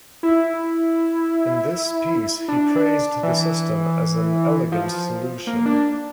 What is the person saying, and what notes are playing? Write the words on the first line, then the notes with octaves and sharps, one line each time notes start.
In this piece he praised the system as "an elegant solution".
E4
D4
E3
F3
A#3
D4